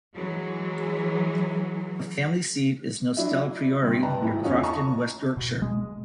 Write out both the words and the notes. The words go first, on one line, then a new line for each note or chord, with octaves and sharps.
The family seat is Nostell Priory, near Crofton, West Yorkshire.
E3 F#3 G#3
F#3 D4 E4 D#5 E5
G2 C3
B4 D5 D#5 G5 A5 A#5
G#1 A2 E4
E2 A3 C#4 C#5 F5 D#6
D#5 A5 A#5 C#6 D#6
B2
G#3